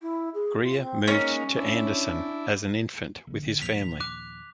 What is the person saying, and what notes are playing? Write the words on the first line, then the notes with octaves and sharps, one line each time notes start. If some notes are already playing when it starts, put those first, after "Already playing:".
Greer moved to Anderson as an infant with his family.
E4
G#4
F4
C4
G#3 A#3 C#4 D#4
D4 E4
A#1 D3
D#2 A#2 F3 B6 F7
D6 F#6